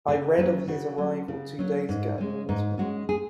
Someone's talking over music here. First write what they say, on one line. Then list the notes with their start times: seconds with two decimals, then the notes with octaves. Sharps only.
I read of his arrival two days ago in the newspaper.
0.08 C#3 G#4
0.37 F#3 C#4 B4
0.68 C#3 F#4
0.98 F#3 C#4
1.28 C#3
1.59 F#3 C#4
1.89 G#2
2.18 G#3 C#4
2.49 G#2 D#4
2.78 G#3 C#4 F#4
3.09 G#4